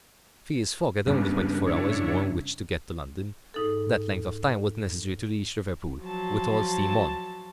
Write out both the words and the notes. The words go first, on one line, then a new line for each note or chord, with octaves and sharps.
Phileas Fogg had only twenty-four hours more in which to get to London; that length of time was necessary to reach Liverpool, with all steam on.
G2 C#3 G3 A#3 B3
D4 E4 C#5
G#2 D#4 A4
F3 F#3 A5